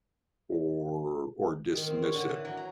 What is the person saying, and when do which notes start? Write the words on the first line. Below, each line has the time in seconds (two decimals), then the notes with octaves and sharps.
or or dismissive,
1.73 D#3
1.88 C4
2.02 C#5
2.14 D3
2.29 E3
2.45 F#3
2.57 A#5